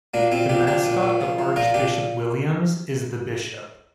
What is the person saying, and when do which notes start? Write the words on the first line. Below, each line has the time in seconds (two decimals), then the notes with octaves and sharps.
The mascot of Archbishop Williams is The Bishop.
0.14 A#2 A#3 D4
0.31 A#2 C4 F4
0.49 F3 D4 G4
0.67 F3 D4 G4
0.85 A#2
1.03 A#2
1.21 F3
1.38 F3
1.56 A#2 F4 A#4
1.74 A#2 D4 G4